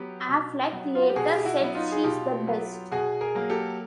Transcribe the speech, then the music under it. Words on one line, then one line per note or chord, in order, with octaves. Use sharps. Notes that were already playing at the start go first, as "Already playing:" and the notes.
Affleck later said: She's the best.
Already playing: F#3 B3 G4
B2
F#3 B3
F4
F#4
G4
B2 F#4 G#4
G4
E4 F#4
F#3 B3
D#4 F4
G#4
B2 F4 G4
F#3 B3
B2 F#4 G#4
G#4 A#4
F#3 A#3
G4 A4